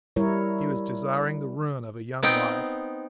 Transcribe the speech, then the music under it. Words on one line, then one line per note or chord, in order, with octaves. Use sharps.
He was desiring the ruin of a young life.
G3 E4 A#4 C#5
B3 C4 D#4 G5